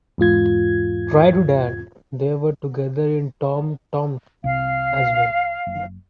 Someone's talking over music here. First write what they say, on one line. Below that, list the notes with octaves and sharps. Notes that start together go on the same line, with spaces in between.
Prior to that, they were together in Tom Tomsk as well.
E2 G#2 F4 G#6
C2 C3 F5
F#1